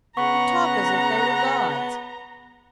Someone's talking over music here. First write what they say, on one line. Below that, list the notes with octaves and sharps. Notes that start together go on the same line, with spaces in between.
You talk as if they were gods.'
C#3 B3 F#5 A#5 C#6